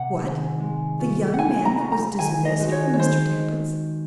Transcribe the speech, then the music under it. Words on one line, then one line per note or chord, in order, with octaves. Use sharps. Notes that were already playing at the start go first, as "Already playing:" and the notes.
"What! the young man that was dismissed from Mr. Tappitt's?"
Already playing: C3 F#5
D#3 G#3 C4
G#3
C#4 F4
F#5
G#3 G#5
A#5
C#4 F4
A#5
D#3 G#5
D#5
G#3 D#4 F#4
C#5
C#5
D#3 C5